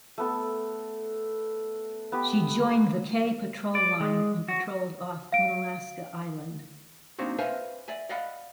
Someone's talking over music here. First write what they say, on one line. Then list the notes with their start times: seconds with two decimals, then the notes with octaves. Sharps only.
She joined the "K" patrol line and patrolled off Unalaska Island.
0.18 A3 B3 A4
2.12 B3 G4
3.75 D5
4.01 G#3
4.48 F#4
5.32 F5 D7
7.19 A#3 C4 D4 D#4 F#4
7.39 B4 C5 E5 F5 G#5
7.88 D5 E5 G#5
8.09 D5 D#5 F5 F#5 B5